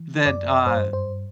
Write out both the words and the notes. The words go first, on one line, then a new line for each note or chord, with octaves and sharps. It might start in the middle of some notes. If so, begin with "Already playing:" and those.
that, uh,
Already playing: E3
F#2 D5
G2 C5
C5